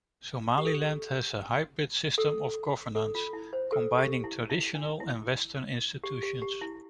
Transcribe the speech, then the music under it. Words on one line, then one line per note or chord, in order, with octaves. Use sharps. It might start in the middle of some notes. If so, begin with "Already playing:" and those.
Somaliland has a hybrid system of governance combining traditional and western institutions.
G4
A4
A4
A4
F4
E4
C5
A4
G4
E4
E4
D4
E4
G4
G4
G4
E4